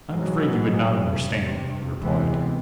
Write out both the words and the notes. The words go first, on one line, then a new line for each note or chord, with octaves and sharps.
"I am afraid you would not understand," he replied.
G#2 B2 E3 F#3
G2 C3
D2 C3 E3 G#3 B3 C4